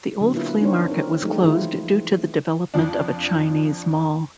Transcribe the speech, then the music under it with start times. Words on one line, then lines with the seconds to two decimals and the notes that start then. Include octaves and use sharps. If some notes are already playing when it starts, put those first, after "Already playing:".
The old flea market was closed due to the development of a Chinese mall.
0.21 D3 F#3 A#3 B3
0.34 A#3 E4 F4 B4
0.61 D4 D#4 G4 A#4 C5 C#5
0.87 C4 A#4
1.22 F3 F#3 G#3 A3 D#4 G4
1.44 E3 E4 F4
2.74 F2 F3 D4